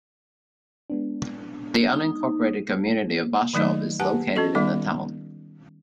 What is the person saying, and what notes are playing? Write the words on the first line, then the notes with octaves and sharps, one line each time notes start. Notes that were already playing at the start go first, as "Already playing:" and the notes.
The unincorporated community of Bashaw is located in the town.
G#3 B3 D4
D#4
D#3 F#3 A3 D#4 D#5
G4 B4 F#5 G#5 A5
C#4 F#4 A4 D#5
D#3 G3 B3 D#4 E5